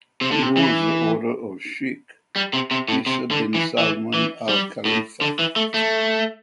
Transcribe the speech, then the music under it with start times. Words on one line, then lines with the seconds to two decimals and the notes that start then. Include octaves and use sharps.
He holds the Order of Sheikh Isa bin Salman Al Khalifa.
0.21 C3
0.31 D3
0.42 C3
0.57 E3
2.36 G3
2.53 C3
2.71 C3
2.88 A2
3.06 C3
3.31 D3
3.54 E3
3.78 E3
4.14 E3
4.49 G3
4.85 A2
5.21 D3
5.39 E3
5.56 A3
5.74 A3